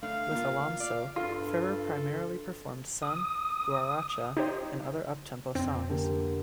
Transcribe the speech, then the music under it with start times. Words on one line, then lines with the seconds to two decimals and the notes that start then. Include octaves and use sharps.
With Alonso, Ferrer primarily performed son, guaracha and other up-tempo songs.
0.03 A3 D4 F5
0.31 A#3 F4
0.80 D5 F5
1.16 G2 F4 A4
3.03 D#6
4.37 D#4 G4 C5
5.55 F1 C4
5.89 D3 A#3 G4